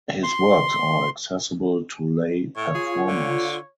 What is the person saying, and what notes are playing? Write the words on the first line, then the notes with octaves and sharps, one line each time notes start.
His works are accessible to lay performers.
C6
A2 C#5
F4 G#4
D3